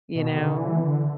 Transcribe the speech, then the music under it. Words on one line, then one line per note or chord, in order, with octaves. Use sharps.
you know,
B2
D3
E3
D3